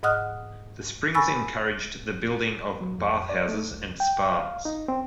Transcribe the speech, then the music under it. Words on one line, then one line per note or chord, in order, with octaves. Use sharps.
The springs encouraged the building of bathhouses and spas.
G#2 D#5 F#5 D#6 F6 F#6
G#5 B5 C#6 E6 A6 A#6
F#3
F2
D5
A3
C#2
G5
F5
D#4
C4